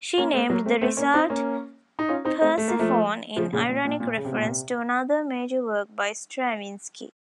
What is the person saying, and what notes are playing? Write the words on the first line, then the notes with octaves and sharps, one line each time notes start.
She named the result "Persephone" in ironic reference to another major work by Stravinsky.
A#3 C#4
A3 C4
F#3 A#3
A3 C4
A3 C4
A#3 C#4
C4 D#4
A#3 C#4
D#4
C#4 F4
C4 D#4
A3 C4
A3
A#3
F3 A3
C#3 F3
A#2 C#3
A#2
A#2
A#2
C#3
C3
A#2
C3